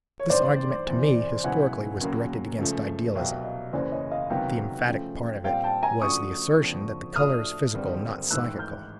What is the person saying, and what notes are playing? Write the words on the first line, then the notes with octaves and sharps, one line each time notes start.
This argument, to me historically, was directed against idealism: the emphatic part of it was the assertion that the colour is physical, not psychical.
C#5
A1 G2 D#3 C5 D5
E2 C3 E3
C#2 B2 F#3 B3 E4 F#5 G#5
D#2 C#3 F#3 A#3
C#2 C#3 F3 A3
C2 B2 F#3 F5 G5
D#5 F5
F#1 E2 C#3 E3 C5 D5
C#5 D#5
D#5 F5
C#2 C3 D#3 F#3 B3 F5 G5
C#3 F3 A3
A#2 G3 C4 F5 G5
G5 A5
G#5 A#5
C#3 F3 A3 D4 F#4 C#6 D#6
F#1 F2 D3 F3
A2 F3 A3 D4 F#4 D#6 F6
G#1 G2 D3 G3 C4
A1 G#2 D#3 E6 F#6
F6 G6